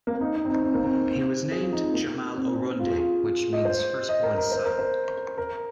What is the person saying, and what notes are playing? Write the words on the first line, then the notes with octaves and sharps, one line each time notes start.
He was named Jamael Oronde which means "firstborn son,".
A#3
C4
D#4
D#4
C4
D#4
C4
A#3
C4
G#4
F4
D#4
C4
A#3
C4
F4
G#4
F4
D#5
C5
D#5
A#4
A#4
C5
A#4
C5
A#4